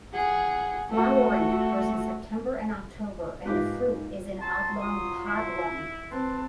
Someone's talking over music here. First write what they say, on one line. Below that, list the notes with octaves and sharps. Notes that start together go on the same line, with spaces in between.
Flowering occurs in September and October and the fruit is an oblong pod long.
G#4 F#5
A3 F#4
G#2 A#3 F4 G4 B4
F#3 A5 C6
F4 D#6
E4
C4 B4 A5 C6